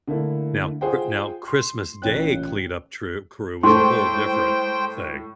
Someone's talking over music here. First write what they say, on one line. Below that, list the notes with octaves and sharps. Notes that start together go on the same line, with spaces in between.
Now, Chr now Christmas Day cleanup true crew was a whole different thing.
D3 A3 A#3 E4
F4 G#4 C5 F#5 G5
C6
A1 A#2 C#3 C#5 G5 F#6
A2 G#3 A4 C5 G5 C6 C#6